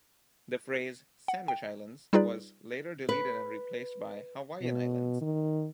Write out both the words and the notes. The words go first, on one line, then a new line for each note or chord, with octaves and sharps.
The phrase "Sandwich Islands" was later deleted and replaced by "Hawaiian Islands".
F#5
G5
G3 D#4 F4 G#4 B4 D5
B4
B2
D#3